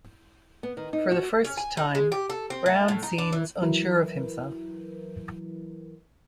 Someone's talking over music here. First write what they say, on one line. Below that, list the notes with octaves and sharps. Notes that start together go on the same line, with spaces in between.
For the first time, Browne seems unsure of himself.
B3
D#3
D#4
F#4
C#4
G#5
D#4
G#3
G4
A4
C4
A3
A2
D#4
D4
E3
E3 F#3 E4 A#4 B4